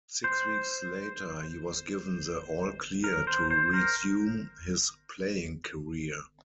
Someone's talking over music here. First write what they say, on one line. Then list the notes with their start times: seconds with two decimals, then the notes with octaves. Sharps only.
Six weeks later, he was given the all-clear to resume his playing career.
0.24 C5
3.04 A#4
3.27 C5
3.51 C5
3.73 A#4